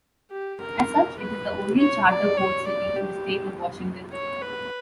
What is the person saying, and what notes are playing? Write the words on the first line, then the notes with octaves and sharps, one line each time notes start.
As such, it is the only Charter Code city in the state of Washington.
G4
A#4
B4
C#5
D5
C#5
D5
G4
C#5
B4